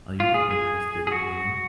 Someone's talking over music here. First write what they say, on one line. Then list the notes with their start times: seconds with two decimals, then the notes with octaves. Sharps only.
Are you not interested in women?
0.20 F4
0.34 G#4
0.51 G#4
1.07 G#4
1.12 F#4